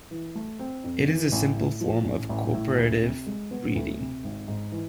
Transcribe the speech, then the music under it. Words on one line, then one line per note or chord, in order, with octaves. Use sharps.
It is a simple form of co-operative breeding.
E3
A3
C4
F2
E3
A1
A2
F3
A1
A1
A2
D2
C3
G#3
B3
D2
C3
G#1
G#2
E3